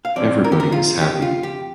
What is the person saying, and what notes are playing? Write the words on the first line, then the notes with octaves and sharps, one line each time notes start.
Everybody is happy.
F5
F2 F3 C4 D5
A#4
G4
A#4
F4
G4
F4
G4